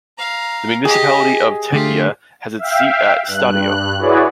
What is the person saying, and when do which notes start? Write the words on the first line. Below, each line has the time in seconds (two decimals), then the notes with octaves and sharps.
The municipality of Tegea has its seat at Stadio.
0.18 F5 A#5
0.85 G4 G#4 D#5 G#5
1.73 D3 A3 F4 G4
2.58 E5 F5 G5
3.24 G2 F#6
3.98 E4 F#4 G#4 B4 C#5 D5